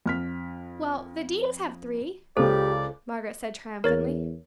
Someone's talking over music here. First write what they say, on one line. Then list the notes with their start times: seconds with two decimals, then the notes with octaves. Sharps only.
"Well, the Deanes have three!" Margaret said triumphantly.
0.06 F2 F6 B6
2.37 C#2 C#3 G4 A4 C5 D5
3.84 E2 A#4 C#5 A6